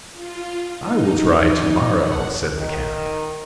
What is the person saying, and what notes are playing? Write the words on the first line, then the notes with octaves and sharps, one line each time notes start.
"I will try to-morrow," said the cat.
F4
D#4
F#5
D#3